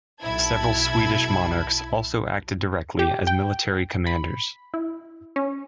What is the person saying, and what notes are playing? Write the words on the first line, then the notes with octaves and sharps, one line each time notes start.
Several Swedish monarchs also acted directly as military commanders.
B1 E4 A5 B5 G#6
G4
G5
B5
E4
C#4